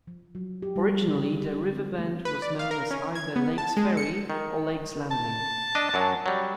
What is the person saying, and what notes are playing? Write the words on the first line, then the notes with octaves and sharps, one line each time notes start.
Originally, the river bend was known as either Lake's Ferry or Lake's Landing.
F3
F#3
G4
G3
D3
G4
C4
A3
B4
D5
F5
A#4
C#4
G#6
B3
A5
G#3
C#7
D#3
A5
D4 D#5
F#2 F#3
F#3 G3